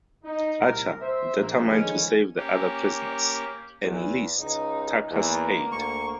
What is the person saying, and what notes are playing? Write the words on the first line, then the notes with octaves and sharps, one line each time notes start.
Archer, determined to save the other prisoners, enlists Tucker's aid.
D#4
C2 A#2 A#4
C5 E5
A#1 A#3
D3 D#3 F3 G#3 B3 C#4
A#3 C#4 G4
E2
C#2 D#4
E2 A#3
D2 C#6